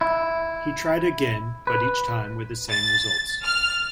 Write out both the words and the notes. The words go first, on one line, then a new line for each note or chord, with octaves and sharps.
He tried again, but each time with the same results.
E4
B4
A6
F6